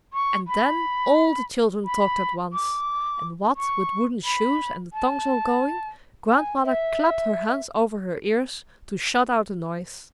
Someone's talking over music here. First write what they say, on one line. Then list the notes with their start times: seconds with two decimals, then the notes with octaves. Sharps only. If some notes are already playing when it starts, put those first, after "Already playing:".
And then all the children talked at once; and what with wooden shoes and the tongues all going, Grandmother clapped her hands over her ears to shut out the noise.
0.13 C#6
0.48 B5
1.85 B5
2.53 D6
3.56 C#6
4.25 B5
4.93 A5
6.30 G#5
6.64 E5